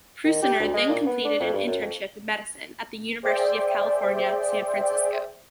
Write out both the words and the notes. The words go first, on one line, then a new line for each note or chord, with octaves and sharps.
Prusiner then completed an internship in medicine at the University of California, San Francisco.
D#3
G4
D2
G#3
A#2
B3
D4
F2
G2
F#2
F2
G#4 C5 D5 E5 G5